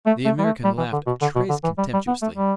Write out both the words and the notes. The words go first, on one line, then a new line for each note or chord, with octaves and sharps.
The American laughed a trace contemptuously.
A3
A3
G3
A3
G3
E3
D3
B2
D3
B2
D3
E3
G3
G3
B3
A3
G3